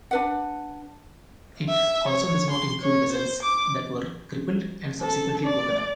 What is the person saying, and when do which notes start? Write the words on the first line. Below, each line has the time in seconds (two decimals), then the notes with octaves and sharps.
It also does not include vessels that were crippled and subsequently broken up.
0.11 D4 B4 F#5
1.69 E5
2.09 C#5
2.50 C6
2.82 C#5
3.12 C5
3.43 D6
5.01 A4
5.45 D5